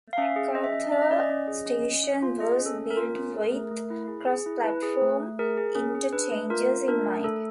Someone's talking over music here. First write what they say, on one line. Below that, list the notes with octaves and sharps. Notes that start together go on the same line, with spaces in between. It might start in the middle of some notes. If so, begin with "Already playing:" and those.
MacArthur station was built with cross-platform interchanges in mind.
F5
C#4 E5
G#4
C#4 D#5
E5
C#4 D#5
C#4 E5
D#5
C#4 D5
D#5
C#4
G#4
C#4
C#4
C#4
F4
G#4 D#5
C#4
A4
C#4
A#4
F4
C#4
G#4
A3
A3
E4
G#4
G#4
E4
E4 B4
G#4
A3
A3
G#4 A#4
G#4
C#4
G#4
D4 B4
A3
F4 A#4
F4
D4 A#4
A3
A3 A4